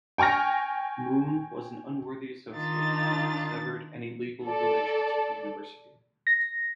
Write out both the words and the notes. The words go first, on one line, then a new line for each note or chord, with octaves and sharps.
Moon was an unworthy associate and severed any legal relations with the University.
G5 G#5 C#6 F6 A#6
D#3 D4 D#4 F4 A6
A4 D5
A#6